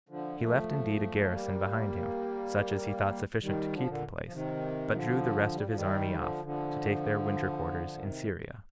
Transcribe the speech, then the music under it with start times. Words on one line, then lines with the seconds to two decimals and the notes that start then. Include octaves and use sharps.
He left indeed a garrison behind him, such as he thought sufficient to keep the place, but drew the rest of his army off, to take their winter-quarters in Syria.
0.09 D3 F3
0.39 F3 A3
1.30 G3 A#3
3.42 D#3 G3
3.72 D3 F3
3.87 A#2 D3
4.27 F3
4.32 C3 D#3
4.93 D3 F3
5.54 G3
5.65 F3
5.75 D#3 G3
6.14 D3 F3
6.44 D3 F3
7.96 C3 D#3